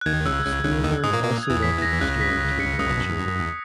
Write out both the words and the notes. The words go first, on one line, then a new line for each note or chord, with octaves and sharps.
Spielberg also wanted the story to involve children.
F#6
D#2 D#3 G#6
C#2 C#3 E6
C#2 C#3 F#6
C#2 C#3 F#6
D#2 D#3 E6
G#2 G#3 D#6
A#2 A#3
A#2 A#3
G#6
E2 E3
B6
A#6
C#2 C#3 F#6
B6
A#6
C#7
C#2 C#3 D#6
B1 B2
F#2
E2
F#2
F#2
E2